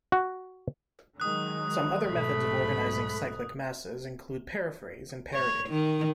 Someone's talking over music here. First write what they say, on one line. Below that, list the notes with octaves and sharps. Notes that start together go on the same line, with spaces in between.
Some other methods of organizing cyclic masses include paraphrase and parody.
F#4
D#3 F#3 G#3 D#6 F#6
B1 G#2 B2 A3 B5
C#5
D#3